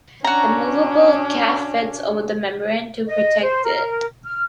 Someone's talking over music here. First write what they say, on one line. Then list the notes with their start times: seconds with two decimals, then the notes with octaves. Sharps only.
A movable cap fits over the membrane to protect it.
0.25 C#4 D4 F#4 A#5
3.07 D#5
3.41 C5
3.63 A#4
4.24 F6